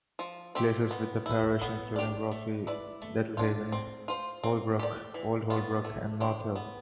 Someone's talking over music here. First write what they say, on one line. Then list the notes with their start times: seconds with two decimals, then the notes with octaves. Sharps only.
Places within the parish include Roffey, Littlehaven, Holbrook, Old Holbrook and North Heath.
0.19 F3
0.55 A3 C4 G4
0.91 B3
1.26 E4 B4
1.62 B3
1.96 D4 G4 D5
2.32 A3
2.67 E4 B4 D5
3.02 A3
3.37 D4 F4
3.72 C4
4.08 F4 C5
4.44 C4
4.79 G4 D5
5.14 E3
5.50 B3 F4
5.85 A3
6.20 D4 G4 C5
6.56 B3